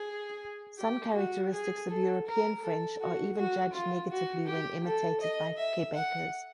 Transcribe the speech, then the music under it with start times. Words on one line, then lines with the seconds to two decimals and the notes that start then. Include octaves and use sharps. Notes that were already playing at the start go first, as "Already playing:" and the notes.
Some characteristics of European French are even judged negatively when imitated by Quebecers.
Already playing: G#4
0.79 G4
1.15 F#4
1.52 G#4
1.89 A4
2.26 A#4
2.62 A4
3.00 F#4
3.37 F#4
3.73 F4
4.10 F#4
4.47 G4
4.84 A4
5.21 D#5
5.57 E5
5.94 F#5